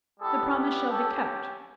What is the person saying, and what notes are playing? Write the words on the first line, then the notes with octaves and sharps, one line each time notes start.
'The promise shall be kept.
G3 B3 E4 G4 A4
C#4 G4 A4